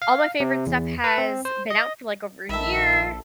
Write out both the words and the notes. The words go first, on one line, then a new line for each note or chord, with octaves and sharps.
all my favorite stuff has been out for, like, over a year
F5
C3
E2
B4
C4
C5
D#5
A#1 D#3 A4 E5 B5